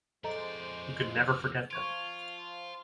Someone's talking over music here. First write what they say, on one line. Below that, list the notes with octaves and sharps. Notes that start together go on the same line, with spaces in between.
He could never forget them.
F2 G#3 A4 C5 D5 D#5 A#5
F3 F4 C#6 G#6 D7